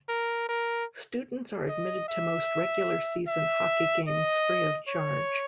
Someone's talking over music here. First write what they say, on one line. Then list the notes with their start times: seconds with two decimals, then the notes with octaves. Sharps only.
Students are admitted to most regular season hockey games free of charge.
0.09 A#4
0.49 A#4
1.68 D#5
2.09 E5
3.28 E5
4.07 D#5
4.88 C#5